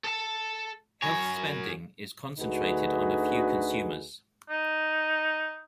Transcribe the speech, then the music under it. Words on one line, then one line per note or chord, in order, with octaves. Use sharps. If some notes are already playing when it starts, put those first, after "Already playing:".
Health spending is concentrated on a few consumers.
A4 A5
F#2 C#5 G#5 B5 A#6
D2 D3 D#4 F#4 G#4 B4
D#4